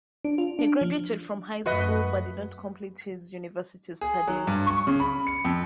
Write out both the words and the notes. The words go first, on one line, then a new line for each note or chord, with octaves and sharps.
He graduated from high school but did not complete his university studies.
D4
F4
D4
F3
F#2 A3 F#4 B4 D#5
G#4
F#3
G2
C#6
C#3
B5
C#7
F2